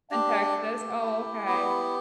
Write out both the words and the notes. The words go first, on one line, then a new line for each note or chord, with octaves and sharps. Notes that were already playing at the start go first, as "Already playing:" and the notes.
in Texas? Oh, okay.
D4 G4
A3
E4
B3